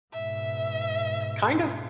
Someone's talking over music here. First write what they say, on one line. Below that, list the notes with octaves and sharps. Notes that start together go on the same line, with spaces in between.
kind of
G#2 B2 E5